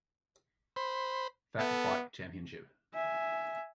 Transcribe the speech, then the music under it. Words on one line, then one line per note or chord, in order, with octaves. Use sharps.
Fat Bike championship.
C5 B5
B3 A4
E5 G#5